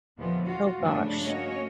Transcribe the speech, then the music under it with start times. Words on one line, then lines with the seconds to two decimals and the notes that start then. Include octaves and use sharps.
Oh gosh.
0.18 D#2 A#2 D3 E3 F3 B3
0.46 F4 F#4
0.78 G2 C#3 F3 G#3 A3 D4
1.24 A3 A#3 C#4 F#4 C#5 D#5